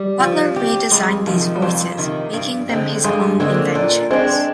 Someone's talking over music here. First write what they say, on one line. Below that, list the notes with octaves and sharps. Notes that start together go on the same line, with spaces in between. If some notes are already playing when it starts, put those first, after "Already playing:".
Butler redesigned these voices, making them his own inventions.
Already playing: G3
F3
C4 G4
F2 G#3
C3 D#3 F3
G3
F2 F3
C3 D#3
G2
D3 G#3 C4
G2 G#3
D3 G#3 A#3 C4
A#2 D4
G#3 C4 D4